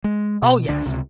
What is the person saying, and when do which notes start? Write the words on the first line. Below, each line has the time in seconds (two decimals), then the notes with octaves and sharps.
Oh, yes.
0.04 G#3
0.42 B2
0.69 C#2 D3 D4
0.86 C#2 C3